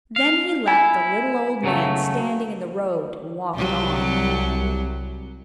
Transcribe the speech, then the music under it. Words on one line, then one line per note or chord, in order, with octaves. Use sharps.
Then he left the little old man standing in the road, and walked on.
F5
E4 G#5
C#3 F#3 A3
C2 F#3 G3